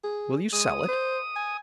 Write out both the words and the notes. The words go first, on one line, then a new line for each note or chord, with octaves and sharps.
Will you sell it?
G#4
G#3 D#6
C5
G#5